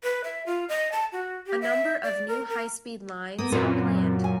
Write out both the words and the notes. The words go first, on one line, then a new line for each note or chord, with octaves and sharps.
A number of new high speed lines are planned.
B4
E5
F4
D#5
A5
F#4
G4
E5
D5
A#4
A#4
A#3 B3 D#6
F#2 A#2 C4 A#4 B4
G#5